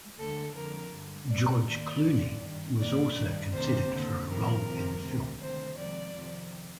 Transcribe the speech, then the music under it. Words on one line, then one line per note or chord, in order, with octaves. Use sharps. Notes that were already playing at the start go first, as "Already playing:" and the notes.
George Clooney was also considered for a role in the film.
D2 D3 A4
F2 D3 A#4
G2 D3
D#2 D#3 D5
D#2 D#3 D5
G2 D3
G2 D#3
D#2 D#3 D5
G2 D#3
D2 C3 D#3 C5
D#2 D3
F2 C3 D#3 A#4
F2 C3 D#3
D2 C3 D#3
D2 C3 D#3 C5
F2 C3 D#3 D5
F2 C3 D#3